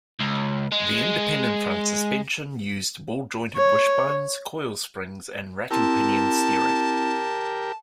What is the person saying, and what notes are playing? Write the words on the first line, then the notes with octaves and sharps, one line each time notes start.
The independent front suspension used ball-jointed wishbones, coil springs and rack-and-pinion steering.
C#2
G#3
C#5
C4 E4 G4 A#4 A5